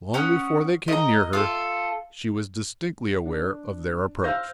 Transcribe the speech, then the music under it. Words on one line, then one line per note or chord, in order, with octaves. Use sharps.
Long before they came near her, she was distinctly aware of their approach.
C#4 F#5 D#6
D#5 A#5
F4 A4
D4
C5 F5 E6 F6 G6 A#6